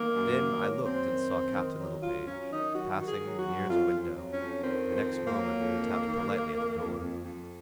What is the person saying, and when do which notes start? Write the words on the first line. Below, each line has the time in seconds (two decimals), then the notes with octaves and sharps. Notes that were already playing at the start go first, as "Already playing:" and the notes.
Then I looked, and saw Captain Littlepage passing the nearest window; the next moment he tapped politely at the door.
Already playing: D#3 A#3
0.13 F#2
0.36 D#3
0.61 F#3
0.84 F#2 C4
1.08 D#3
1.31 F#2
1.56 D#3
1.79 F#3
2.02 F#2 F4
2.26 F#3 C#4
2.50 D#3 D#4
2.73 F#3 F#4
2.97 D#3 F#4
3.06 G#4
3.22 F#3
3.37 F#4
3.44 F#2
3.68 F2 F4
3.92 F2
4.16 F#3
4.31 C#4
4.39 F2
4.63 D#3 C4
4.87 F2
4.94 C4
5.10 F2
5.26 A#3
5.35 F#3
5.58 F2
5.81 D#3
6.05 D#3
6.29 D#3
6.53 F2
6.77 F2
7.00 F2
7.24 F2